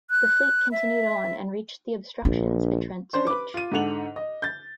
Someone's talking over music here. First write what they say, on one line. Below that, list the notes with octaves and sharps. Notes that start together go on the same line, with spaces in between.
The fleet continued on and reached the obstructions at Trent's Reach.
F#6
E5
A#1 D4
C#4 D4 C5 C6
B4 D6
F4 D#7
G#2 D3 A4 F#5 F7 F#7
D#5
G6 A6